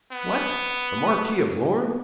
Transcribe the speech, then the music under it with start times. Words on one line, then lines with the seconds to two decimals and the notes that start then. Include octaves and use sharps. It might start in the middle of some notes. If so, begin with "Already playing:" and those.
'What! the Marquis of Lorne?
0.12 B3